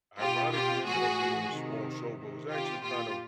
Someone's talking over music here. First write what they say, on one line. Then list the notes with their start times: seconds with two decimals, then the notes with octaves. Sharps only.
ironically ended up being a small show, but it was actually kind of,
0.20 B2 F4 G4
0.53 F4 G4
0.85 A2 E3 F#4 G#4
1.52 C3 D#3
2.18 C3 D#3
2.51 F4 G4
2.83 A#2 F4 G4